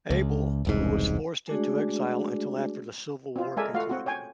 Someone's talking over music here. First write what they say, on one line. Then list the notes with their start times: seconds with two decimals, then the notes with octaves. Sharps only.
Abell, who was forced into exile until after the Civil War concluded.
0.10 C#2
0.65 E1 C2 G#2
1.48 G#3 A3 D4 F#4 G#4 D5
3.36 C4 F4
3.57 G#3 A4 A#4 D5 E5 G#5
3.74 A3 F4 F#4 F5
3.89 C4 F#4
4.06 C#5 G5 G#5